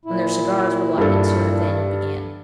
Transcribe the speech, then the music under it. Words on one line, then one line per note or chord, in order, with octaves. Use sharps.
When their cigars were lighted, Sir Nathaniel began.
A#2 E4
G2 A4